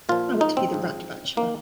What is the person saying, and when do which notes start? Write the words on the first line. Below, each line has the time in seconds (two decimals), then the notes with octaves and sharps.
I want to be the rat bachelor.
0.09 A#2 F3 F4
0.41 D#4
0.57 C4
0.73 G#2 F3
1.37 D#3 A#3